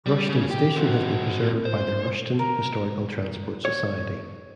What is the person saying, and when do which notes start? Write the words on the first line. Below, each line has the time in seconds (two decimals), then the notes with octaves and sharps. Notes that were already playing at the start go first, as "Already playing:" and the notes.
Rushden station has been preserved by the Rushden Historical Transport Society.
0.06 G3
0.29 C#3
0.50 G4 G5
0.77 C4 F#4
1.66 C5
2.39 A#4
3.65 C#5